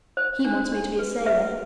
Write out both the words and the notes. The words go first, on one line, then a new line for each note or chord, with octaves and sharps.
"He wants me to be a sailor."
C5
D4
D4
B4
B4 E5